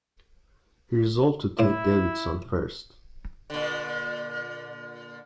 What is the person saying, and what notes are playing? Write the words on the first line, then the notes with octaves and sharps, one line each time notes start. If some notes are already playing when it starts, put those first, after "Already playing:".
He resolved to take Davidson first.
A2 E4 C5
A#2 D3